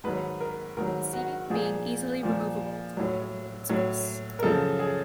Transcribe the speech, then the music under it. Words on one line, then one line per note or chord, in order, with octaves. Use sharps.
The seating being easily removable to offer load space.
G#2 D#3 F#3 B4
A#4
G#2 D#3 F#3 A#4
F#4
A#2 F3 G#4
A#2 F3
A2 F#3
A2 F#3
A#4
F#2 C#3 F3 A4
G#4